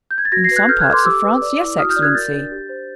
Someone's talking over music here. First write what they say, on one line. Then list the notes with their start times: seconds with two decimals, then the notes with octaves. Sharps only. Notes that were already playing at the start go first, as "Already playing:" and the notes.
"In some parts of France--yes, excellency."
0.11 G6
0.18 G#6
0.25 A6
0.32 F#4 G#6 A#6
0.44 A#6 C7
0.51 B4
0.56 F#6 G#6
0.69 A4 F6 G6
0.81 F#6 G#6
0.87 A4
0.93 C6 D6
1.05 G4 D6 E6
1.24 B4
1.42 D5
1.60 E4
1.78 F#4 D#6 F6
1.90 F6 G6
1.96 D5
2.02 F#6 G#6
2.15 A#4 G6 A6
2.32 D4
2.51 G4
2.69 C5